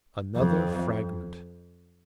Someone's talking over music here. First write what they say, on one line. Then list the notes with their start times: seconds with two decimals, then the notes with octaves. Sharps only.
Another fragment.
0.36 F2